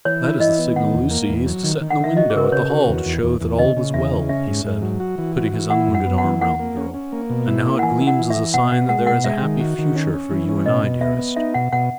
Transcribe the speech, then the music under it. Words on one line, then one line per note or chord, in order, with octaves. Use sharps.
"That is the signal Lucy used to set in the window at the Hall to show that all was well," he said, putting his unwounded arm round the girl, "and now it gleams as a sign that there is a happy future for you and I, dearest."
E3 C#5
E4
E3 D#5
B3
D#3 F#5
E2
A#3
E2
F#3
D#3
D#3
F#5
D#3 E5
F#4 D#5
G#4
C#3 A#4
B4
C#3 C#5
F#4
E2
E2
E2
E2
C#3 D#5
C#3
E2 E5
C#3
C#4 E5
G#2
G#2
F#3
F#4
E3
F#4
E3
E4 F#5
F#2
F#5
B3
F#5
E3
A#3 F#5
A#3
C#4
C#4
A#3
B2
E4
A#3
F#5
E3 G#5
E4
F#5
E3
E5
E3
B2 F#5
B2 F#5
G#3 F#5
B2 F#5
G#3 E5
D#3
F#4
D#3
C#4
C#4
E3
C#4
B2 D#5
B2
B3 E5
B3
D#4 E5
B2 F#5
B2 F#5